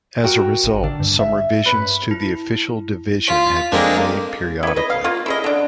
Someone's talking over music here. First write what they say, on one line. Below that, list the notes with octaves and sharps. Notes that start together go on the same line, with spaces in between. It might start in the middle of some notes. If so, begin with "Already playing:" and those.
As a result, some revisions to the official division have been made periodically.
F#4 A#4 G5
A1
D3 D4
G2
E5
C#4 B4
E4
F4 B6
G#3 A#3 C4 D4 A4 A#4 D5
E4 B4
B4 D#5
F5
A#3 F4
E4 G#4 D#5
D3 D4